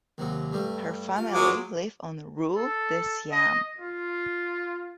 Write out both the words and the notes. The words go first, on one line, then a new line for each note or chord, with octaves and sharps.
Her family lived on rue de Siam.
D#2 C3 F#3
G2 G3 A3
F4
F#3 G#3 D6
A4
D#5
F4